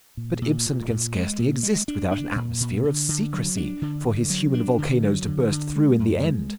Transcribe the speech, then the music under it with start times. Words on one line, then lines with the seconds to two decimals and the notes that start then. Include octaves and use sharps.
But Ibsen can scarcely exist without an atmosphere of secrecy for his human volcanoes to burst through in the end.
0.17 A#2
0.42 A#2
0.66 A#2
0.91 A#2
1.15 G#3
1.39 A#2
1.63 G#3
1.88 D4
2.11 D4
2.36 A#2
2.60 A#2
2.84 D3
3.09 D3
3.33 F#3
3.57 D4
3.82 D3
4.06 D3
4.30 F#3
4.54 D4
4.78 D3
5.02 F#3
5.27 D3
5.51 D3
5.76 G#3
5.99 F#2
6.24 G#3